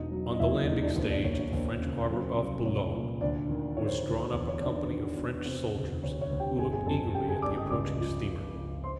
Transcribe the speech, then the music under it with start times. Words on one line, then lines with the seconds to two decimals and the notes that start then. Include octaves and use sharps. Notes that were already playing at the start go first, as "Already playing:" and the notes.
On the landing stage at the French harbor of Boulogne was drawn up a company of French soldiers, who looked eagerly at the approaching steamer.
Already playing: E1 D#4 D#5
0.12 F#3
0.34 D#5
0.40 D#2 E4 E5
0.54 D#4 D#5
0.67 E1 D#4 D#5
0.82 D4 D5
0.96 D#2 C5
1.11 D4 D5
1.24 D#2 C#5
1.39 C#5
1.52 D#2 C5
1.81 C#3
2.08 F#3 C5
2.37 C2
2.65 C2 C#5
2.93 A#2
3.21 D2 D4 D5
3.49 D#3
3.77 D#3 C#5
3.86 C5
4.01 D2 C5
4.33 E2
4.48 C#5
4.61 D#3 D4 D5
4.76 D4 D5
4.89 D#3
5.18 E1
5.46 C3 C5
5.75 D2
6.02 D2 C#5
6.21 C#5
6.31 D2
6.40 G4 G5
6.59 G1 G#4 G#5
6.72 G#4 G#5
6.86 F2 A4 A5
7.15 C#3 G4 G5
7.28 G#4 G#5
7.42 G1 D5 D6
7.57 D#5 D#6
7.71 C#2 D5 D6
8.00 F3
8.27 C#3
8.55 C#2
8.84 C5 C6